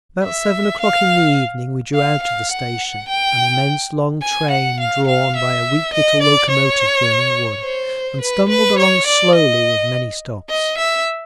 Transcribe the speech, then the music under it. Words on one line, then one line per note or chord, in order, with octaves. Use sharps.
About seven o'clock in the evening we drew out of the station, an immense long train drawn by a weak little locomotive burning wood, and stumbled along slowly, with many stops.
E5
F5
F5
F5
F#5
G5
G#5
F#5
F5
F5
E5
D#5
D5
C#5
C5
B4
B4
C#5
D5
D#5
D#5
E5